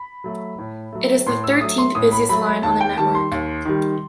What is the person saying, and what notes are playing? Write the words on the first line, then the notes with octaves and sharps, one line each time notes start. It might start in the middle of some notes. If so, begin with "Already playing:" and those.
It is the thirteenth busiest line on the network.
Already playing: B5
F#3 A3
A2
F#3 A3
A2 C6
E6
F#3 A3 D#6
C6
A2 D#6
B5
F#3 A3 B5
B5
D#2 A5
G5
D#3 G3 A5
C6
D#2
D#3 G3